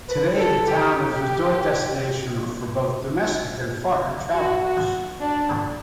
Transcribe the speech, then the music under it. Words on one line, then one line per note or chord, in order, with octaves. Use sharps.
Today, the town is a resort destination for both domestic and foreign travelers.
B4
A4
G4
G4
F#4
F#4
D4